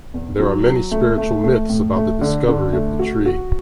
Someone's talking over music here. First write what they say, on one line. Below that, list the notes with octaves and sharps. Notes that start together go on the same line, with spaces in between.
There are many spiritual myths about the discovery of the tree.
E2
F#3
F#3
A3
A3
A3
A2
A3
D3
D3
A3
F#4
F#4